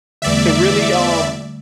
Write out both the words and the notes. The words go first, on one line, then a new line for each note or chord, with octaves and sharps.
to really, um,
E2 D3 G3 A3 D5 E5